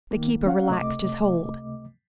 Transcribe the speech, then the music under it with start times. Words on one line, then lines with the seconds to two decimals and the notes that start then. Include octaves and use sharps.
The keeper relaxed his hold.
0.11 D#3 A#3
0.46 C#4 F5 F#5
0.69 C#2 C3 A3 D#5 D6